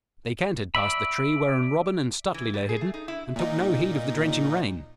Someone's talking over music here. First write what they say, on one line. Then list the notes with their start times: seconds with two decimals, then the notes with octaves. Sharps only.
They cantered past the tree wherein Robin and Stuteley lay hidden, and took no heed of the drenching rain.
0.75 D5 E5 B5
2.34 E3
2.54 G3
2.69 G#4
2.81 A3
2.94 D#4
3.08 E4
3.36 A#2 D#4